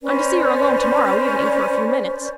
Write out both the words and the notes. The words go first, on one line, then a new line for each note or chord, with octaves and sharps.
I'm to see her alone to-morrow evening for a few minutes.
C#4 B4 C5 D5